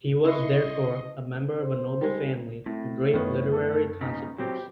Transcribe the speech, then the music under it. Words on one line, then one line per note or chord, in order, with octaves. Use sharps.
He was, therefore, a member of a noble family of great literary consequence.
C#3 E4 B4 D#5 C6 C#6
C5
G3 G#3
A2 C4 E4
F#2 D#3 B3 C#5
A4
D#2 C#3 D#4
F#3 C4 G4